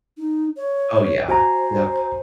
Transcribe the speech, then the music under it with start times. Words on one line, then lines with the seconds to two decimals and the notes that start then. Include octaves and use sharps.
Oh, yeah. Yep,
0.17 D#4
0.57 C#5
1.28 F#4 C5 G#5 A#5